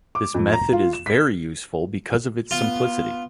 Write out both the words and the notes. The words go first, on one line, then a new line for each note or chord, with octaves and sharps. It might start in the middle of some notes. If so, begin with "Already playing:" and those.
This method is very useful because of its simplicity.
D6
F2
A#5
F4
E7
B6
B3 F4